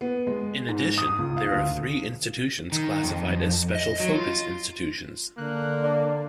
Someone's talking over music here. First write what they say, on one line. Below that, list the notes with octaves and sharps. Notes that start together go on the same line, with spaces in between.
In addition, there are three institutions classified as special-focus institutions.
B3
G#3
G#2
D#6
C#2
F5
D2
D#3
F2
D#5
F#3
F4
D3 A#3 F#6
D5